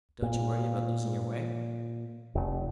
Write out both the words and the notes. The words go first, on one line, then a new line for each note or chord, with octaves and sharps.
"Don't you worry about losing your way?"
A#2
F1